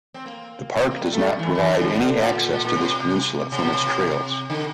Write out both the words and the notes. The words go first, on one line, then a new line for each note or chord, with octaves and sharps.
The park does not provide any access to this peninsula from its trails.
C4
A#3
C4
A#3
G3
A3
G3
E3
E3
D3
C3
D3
A#2
A#2
A#2
C3
C3
A#2
C3
D3